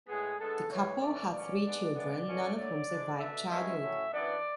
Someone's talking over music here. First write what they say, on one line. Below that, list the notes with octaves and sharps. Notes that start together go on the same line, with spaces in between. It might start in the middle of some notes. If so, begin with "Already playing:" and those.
The couple had three children, none of whom survived childhood.
A2 G#3 B3 G#4
D3 G#3 B3 A4
A2 E3 G#3 C#5
G#2 E3 A3 C#4 D5
B2 F#3 C#4 D5
G#2 G#3 B3 D4
A2 E3 G#3 B3 D4
B2 A3 C#4
D3 F#3 A3 D5
G#2 G#3 D4
B2 A3 D4 E5
F#2 E3 G#3 C#4 E5
A2 F#3 C#4
F#2 E3 B3 D4 D5